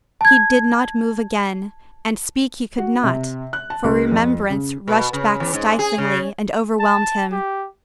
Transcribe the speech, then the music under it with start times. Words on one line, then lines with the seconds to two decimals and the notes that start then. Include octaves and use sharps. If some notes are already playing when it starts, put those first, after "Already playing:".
He did not move again, and speak he could not, for remembrance rushed back stiflingly and overwhelmed him.
0.21 A5 G#6
2.78 F#4
3.03 C3
3.53 F#6
3.70 A5
3.84 C#2
4.12 F2
4.50 C#3
4.88 B2
5.13 C#3
5.40 E2
5.53 G#2
5.79 G#4
5.98 C#3
6.80 A5
7.32 G4